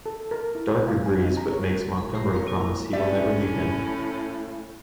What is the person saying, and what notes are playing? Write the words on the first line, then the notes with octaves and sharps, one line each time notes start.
Dark agrees but makes Montgomery promise he will never leave him.
A4
A#4
E4
F5
G#5
D#4
A#5
C#5
G#4
G3 G4 A#4
A#4 C#5 F5 A#5
A#3 E4
F5
A2 C#4 G4 D5 E5